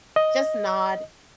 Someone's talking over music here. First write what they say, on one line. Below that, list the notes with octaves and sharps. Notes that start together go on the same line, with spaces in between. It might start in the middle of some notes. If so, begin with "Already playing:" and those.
just nod,
D#5